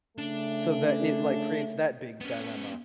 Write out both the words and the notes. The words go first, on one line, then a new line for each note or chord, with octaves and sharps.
So that it, like, creates that big dilemma
C#3 A3 D4
B3 C#4